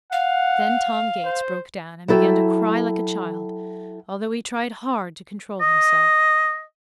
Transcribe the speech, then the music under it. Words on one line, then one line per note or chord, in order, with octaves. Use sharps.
Then Tom Gates broke down and began to cry like a child, although he tried hard to control himself.
F5 F#5
C5
F#3 E4 A4 G5
D#5